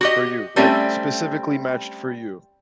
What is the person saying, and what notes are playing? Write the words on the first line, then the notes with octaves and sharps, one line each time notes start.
For you, like, specifically matched for you.
F#4 G4 D#5
G3 A3 C4 C#4 E5